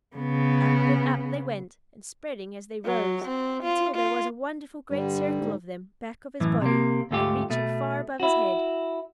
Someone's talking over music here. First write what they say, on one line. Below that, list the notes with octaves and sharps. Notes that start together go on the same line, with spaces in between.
Up and up they went, and spreading as they rose, until there was a wonderful great circle of them back of his body and reaching far above his head.
C#3 B3
F#3
C4
F4
F4
G2 D3 G3
G#2
F#2 A2 E3
C3 A#3
D2 G#2 A3 F4 G4
B2 A3
E4 F#4